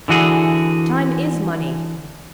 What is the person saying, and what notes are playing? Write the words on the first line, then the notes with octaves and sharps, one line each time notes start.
Time IS money!
D3 E3 F#4 G#4